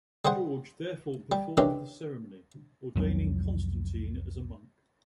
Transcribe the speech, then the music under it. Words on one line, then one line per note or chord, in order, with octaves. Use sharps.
George therefore performed the ceremony, ordaining Constantine as a monk.
G3 G#4 C5 F#5
G3
D#3 E3 G#3 C#4 D4 G4
C2 F2 F#3 B3